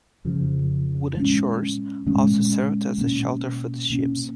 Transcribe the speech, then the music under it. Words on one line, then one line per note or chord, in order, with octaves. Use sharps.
Wooden shores also served as a shelter for the ships.
F2 C#3 F3
A#2 G#3 C#4
A#2 G#3 C#4
B2 A#3 C#4
B2 A#3 C#4